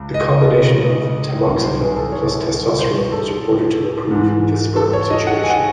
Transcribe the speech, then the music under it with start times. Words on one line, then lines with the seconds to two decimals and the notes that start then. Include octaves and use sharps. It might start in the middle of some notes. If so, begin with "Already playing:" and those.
The combination of tamoxifen plus testosterone was reported to improve the sperm situation.
Already playing: C#2
0.14 D#5
1.46 C2 C3 D#3 F#3
1.63 C5
1.80 G#4
1.97 A4
2.12 C#5
2.79 C5
3.12 A4
4.11 G#2 E3
4.76 A4
4.93 C#5
5.10 D#5
5.27 F#5
5.43 G#5
5.50 F#5